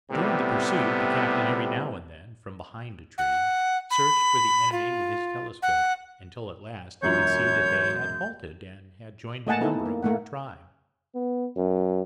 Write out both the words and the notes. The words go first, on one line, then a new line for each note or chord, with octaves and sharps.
During the pursuit the captain every now and then, from behind a tree, searched for the enemy with his telescope, until at last he could see that they had halted, and had joined a number of their tribe.
A2 C3 G3 B3
F#5
B5
F4
F#5
E1 F#2 F4 C#5 G6
A3 A#3 D#5 F#5 G#5 A5
B3 D#4 E4 A4
A#3
A3 A#3 F#5
B3
F#2